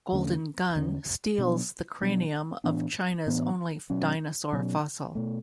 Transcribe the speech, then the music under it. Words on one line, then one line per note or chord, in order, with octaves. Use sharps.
Golden Gun steals the cranium of China's only dinosaur fossil.
E2 D3 A3 C#4
E2 D3 A3 C#4
B2 F#3 B3 D4
B2 F#3 B3 D4
A2 E3 B3 D4
A2 E3 B3 D4
B2 F#3 C#4
B2 F#3 C#4
B2 A3